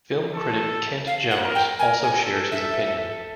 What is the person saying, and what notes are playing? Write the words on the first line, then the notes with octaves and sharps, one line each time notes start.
Film critic Kent Jones also shares this opinion.
A4
F5
F#5
A#4
G5
A#4 G#5
G#5
A4
E5